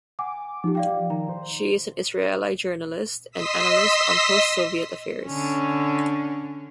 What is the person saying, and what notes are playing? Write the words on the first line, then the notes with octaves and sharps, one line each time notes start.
She is an Israeli journalist and an analyst on post-Soviet affairs.
F#5 G#5 D6
F3 D#4 G4
D5 F5 G5
D#3 A#5
C5
D#5 C6 D#6 E6 B6
D3 C#4